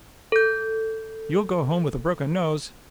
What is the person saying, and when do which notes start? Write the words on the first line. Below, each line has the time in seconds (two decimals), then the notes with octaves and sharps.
"You'll go home with a broken nose!"
0.32 A4 G6